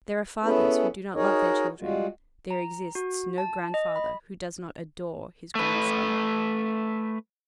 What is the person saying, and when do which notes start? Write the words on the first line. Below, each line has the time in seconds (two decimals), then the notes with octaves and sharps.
There are fathers who do not love their children; there exists no grandfather who does not adore his grandson.
0.43 B3 C#4 E4 G#4 A4 B4
1.15 D#4 F#4 G#4 A#4 C#5 D#5
1.81 G3 G#3 F4 F#4
2.51 A#5
2.95 F#4
3.38 A5
3.74 D#5
3.96 B5
5.55 A3 B4